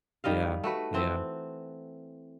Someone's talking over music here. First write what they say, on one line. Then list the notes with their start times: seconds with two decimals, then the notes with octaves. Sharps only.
Yeah. Yeah.
0.24 D#3 G3 D#5 F5
0.64 A3 F#4 B4
0.94 E3 C4